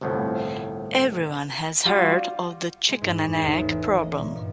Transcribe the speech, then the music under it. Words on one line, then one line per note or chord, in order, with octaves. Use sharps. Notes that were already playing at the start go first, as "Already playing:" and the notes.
Everyone has heard of the chicken and egg problem.
G1 C2 A2 F3 B3
G3 F4 F#4
G#3
G#2
F2
E2
A1
F5
D#5
A#2
G2